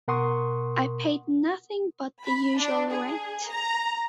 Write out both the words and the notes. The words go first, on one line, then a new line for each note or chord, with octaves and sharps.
I paid nothing but the usual rent.
B2 A#4 F#5 C6 C#6 D#6
B5
D4
G#4
A#5